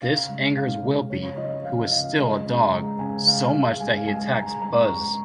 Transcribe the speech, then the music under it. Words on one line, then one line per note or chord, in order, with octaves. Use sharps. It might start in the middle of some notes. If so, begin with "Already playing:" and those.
This angers Wilby, who is still a dog, so much that he attacks Buzz.
C#3 F5
G#3
C#3 F5
C#3
C#3 C#5
F3 D#5
C#3 F5
C#3 F5
G#3 D#5
C#3
G#3 A#5
C#3 G#5
G#3 F5
G#3 F5
G#3 G#5
F5
G#3 G#5
G#3 A#5
G#3 A#5
C#6
G#3 A#5